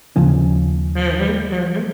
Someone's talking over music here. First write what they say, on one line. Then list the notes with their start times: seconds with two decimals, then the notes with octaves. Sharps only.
Mhm, mhm.
0.16 D#2 C#3 F3 C#4